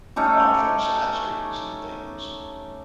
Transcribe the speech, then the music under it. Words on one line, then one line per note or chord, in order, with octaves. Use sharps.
off on side streets and things,
A3 C#4 D#4 G4